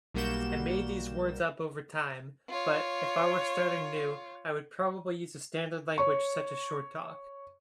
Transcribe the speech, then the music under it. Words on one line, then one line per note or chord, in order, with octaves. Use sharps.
I made these words up over time, but if I were starting new I would probably use a standard language such as Short Talk.
B1 G3 A#3 F#4 G6 E7
F4 C#5
C#5 C#6